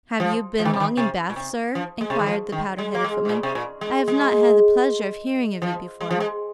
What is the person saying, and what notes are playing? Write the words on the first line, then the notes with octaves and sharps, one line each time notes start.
'Have you been long in Bath, sir?' inquired the powdered-headed footman. 'I have not had the pleasure of hearing of you before.'
F3
F3
D#3
C3
D#3
C3
A#2
C3
F3
G#3
C3
D#3
F3
D#3
G#3
A#3
G#3
G#2
A#2
C3
A#2
G#3
G#3
F3
G#3
F3
G#3